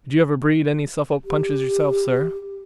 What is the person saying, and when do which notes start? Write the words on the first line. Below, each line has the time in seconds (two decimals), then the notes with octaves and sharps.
Did you ever breed any Suffolk Punches yourself, sir?'
1.25 G4